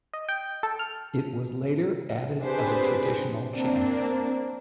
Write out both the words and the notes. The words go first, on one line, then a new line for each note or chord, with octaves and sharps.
It was later added as a traditional channel.
D#5
G5
A4
F6
C4 D4 G4 G#4 B4 C5
A#3 C4 D4 A#4